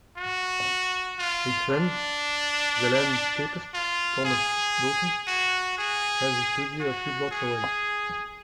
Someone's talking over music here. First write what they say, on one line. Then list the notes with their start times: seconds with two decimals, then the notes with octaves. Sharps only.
His friend, the landscapist Thomas Doughty had his studio a few blocks away.
0.17 F#4
1.19 F4
1.70 D4
3.74 F4
4.25 G#4
5.27 F#4
5.78 G#4
6.80 F#4
7.31 G#4